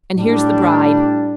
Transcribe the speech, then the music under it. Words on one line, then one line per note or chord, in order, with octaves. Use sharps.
And here's the Bride!
A2 G3 D4